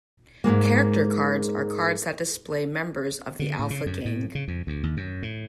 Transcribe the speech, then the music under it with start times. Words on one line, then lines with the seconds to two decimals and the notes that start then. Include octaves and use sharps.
Character Cards are cards that display members of the Alpha Gang.
0.44 G#2 F3 G#3 A#3
3.39 D3
3.59 A2
3.70 C#3
3.86 F#2
4.05 A2
4.35 C#3
4.48 F2
4.67 D2
4.83 D#2
4.97 F#2
5.23 A2